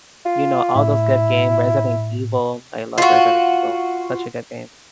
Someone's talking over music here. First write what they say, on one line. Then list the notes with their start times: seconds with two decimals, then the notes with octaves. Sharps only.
you know, all those good games, Resident Evil- I love Resident Evil, such a good game.
0.25 F4
0.75 A2 E4
2.98 F4 F#4